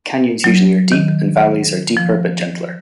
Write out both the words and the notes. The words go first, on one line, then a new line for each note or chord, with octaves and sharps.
Canyons usually are deep and valleys are deeper but gentler.
F#3
D#3
F3